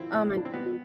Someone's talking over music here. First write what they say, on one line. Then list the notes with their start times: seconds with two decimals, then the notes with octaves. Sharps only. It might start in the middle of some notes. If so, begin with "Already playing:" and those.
Oh my goodness.
Already playing: F3 C4 E4
0.13 A2
0.29 E4
0.33 F3 D4
0.45 C4
0.54 G3 B3